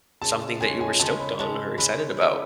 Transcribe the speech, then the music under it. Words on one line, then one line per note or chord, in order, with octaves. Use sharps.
something that you were stoked on or excited about?
C#3 G#3 C#4 A5
C#3 G#3 C#4 G#5
G#5
C#3 G#3 C#4 A5
B5
C#3 G#3 C#4 A5
G#3 C#4 E4 B5
G#3 C#4 E4